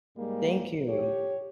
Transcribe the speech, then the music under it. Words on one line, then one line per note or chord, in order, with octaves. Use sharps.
Thank you.
G#2 G3 G#3 A#3
G4 C#5